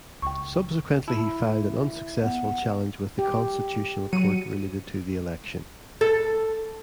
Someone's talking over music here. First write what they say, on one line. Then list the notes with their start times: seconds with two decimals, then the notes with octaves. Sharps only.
Subsequently he filed an unsuccessful challenge with the Constitutional Court related to the election.
0.22 C#2 G5 C#6
1.08 E4 A5
2.23 B3 F#5
3.19 G4
4.13 F#3 C#7 D#7
6.01 A4